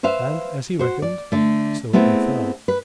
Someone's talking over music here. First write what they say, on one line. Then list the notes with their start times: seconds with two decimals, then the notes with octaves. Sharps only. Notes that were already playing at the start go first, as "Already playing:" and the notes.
And as he reckoned so it befell.
0.03 B4 C5 E5 F5
0.79 F#4 C5
1.02 D5
1.32 D3 A3
1.93 A3 B3 C4 E4 G#4
2.68 B4